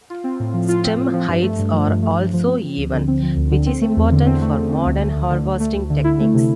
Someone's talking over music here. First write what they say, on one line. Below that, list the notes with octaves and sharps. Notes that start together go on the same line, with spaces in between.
Stem heights are also even, which is important for modern harvesting techniques.
F4
C4
A2
F3
F4
C4
A2
F3
G2
A3
G2
F3
G2
A3
G2
F3
C4
F3
D2
D3
C4
F3
D2
D3
C4
A3
E2
D3
C4
A3
E2
D3
D2
A3
D2
D3
D2
A3
D2
D3
E4
A3
C3